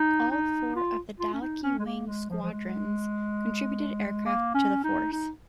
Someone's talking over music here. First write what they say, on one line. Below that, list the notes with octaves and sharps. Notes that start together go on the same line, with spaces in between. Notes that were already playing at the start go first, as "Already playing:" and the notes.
All four of the Dallachy Wing's squadrons contributed aircraft to the force.
Already playing: D#4
D#4
F4
F4
C#4
D#4
C#4
G#3
A#3
G#3
F3
F3
G#3
A#3
C#4
D#4
D#4